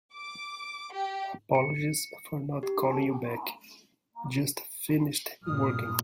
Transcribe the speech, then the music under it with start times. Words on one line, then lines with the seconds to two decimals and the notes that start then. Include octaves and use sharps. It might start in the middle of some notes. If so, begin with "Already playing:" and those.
Apologies for not calling you back. Just finished working.
0.15 D6
0.92 G4
1.55 C#7
2.63 G4
5.44 G2 A#2 D#6 F6